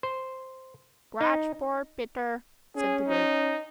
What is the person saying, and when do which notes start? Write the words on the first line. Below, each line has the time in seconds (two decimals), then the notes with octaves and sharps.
"Scratch poor Peter," said the bird.
0.03 C5
1.21 D#4
2.76 C#4 G#4
3.08 D#4